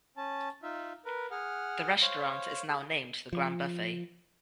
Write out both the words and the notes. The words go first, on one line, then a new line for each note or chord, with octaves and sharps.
The restaurant is now named The Grand Buffet.
C#4 A5
D#4 F4 E5
A#4 B4
G#4 F#5 F6
C5 C#5 F5
G#4
F3